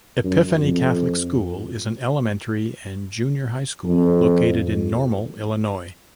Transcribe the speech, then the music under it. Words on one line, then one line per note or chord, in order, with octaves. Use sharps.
Epiphany Catholic School is an elementary and junior high school located in Normal, Illinois.
F#2
F2
F2